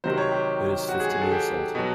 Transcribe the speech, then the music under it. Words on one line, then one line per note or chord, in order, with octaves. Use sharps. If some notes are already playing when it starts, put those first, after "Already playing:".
It is fifty years old.
C3 D#3 F#3 C5
C#5
G4
F#4
G#4
G#4
A4
G4
B2 F#3